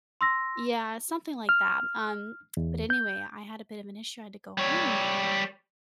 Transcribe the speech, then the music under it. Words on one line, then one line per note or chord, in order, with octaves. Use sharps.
Yeah, something like that. Um, but anyway, I had a bit of an issue. I had to go home,
C6 E6 A#6
F6
E2
G6
G3 C#5